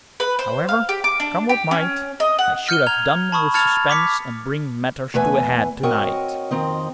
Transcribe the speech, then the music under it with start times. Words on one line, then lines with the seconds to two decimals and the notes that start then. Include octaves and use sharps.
However, come what might, I should have done with suspense and bring matters to a head to-night.
0.20 B4
0.39 C5
0.69 F5
0.89 G4
1.04 D6
1.20 D4
1.49 G4
1.71 C#4
2.20 D#5
2.39 F#5
2.69 F6 G6 C#7 D#7 G7
2.87 A#5 G#6 F7
3.32 A5 B5 C#6 D#6
3.54 A5 F6 G#6 A6 C#7 F7
3.89 D6 B6 C#7
5.14 E2 A3 B4 E5 G#5
5.83 C4 F#4 A#4 C#5 D#5
6.51 F2 D#3 C4 D#5